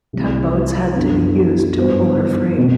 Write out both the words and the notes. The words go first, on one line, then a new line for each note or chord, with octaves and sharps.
Tugboats had to be used to pull her free.
C2 C3 E3 A3
F#2 E3 B3 D4 A4
G2 E3 B3 F#4 C5
B2 A3 C4 F#4